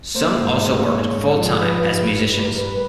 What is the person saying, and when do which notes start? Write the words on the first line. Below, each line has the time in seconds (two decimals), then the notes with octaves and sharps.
Some also worked full time as musicians.
0.15 A#3 C5
0.40 G#2
0.63 A#3
0.87 G#2 C#5
1.12 G#2
1.35 F3
1.59 F3 B4
1.84 G2
2.08 G2
2.32 G2 B4
2.45 A#4
2.56 G2 B4